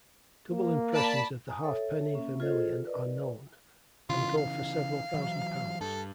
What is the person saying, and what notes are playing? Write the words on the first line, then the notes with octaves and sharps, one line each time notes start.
Double impressions of the halfpenny vermilion are known, and go for several thousand pounds.
A#3
D5 A5 B5
G#5 A#5 D#6
A4 C#5 E5
A#3 C#4 E5
F4 G#4 A4 C5 D#5
A#4 B4 D5 D#5
C#3 E3 F4
F5
E3 F#3
G2 A4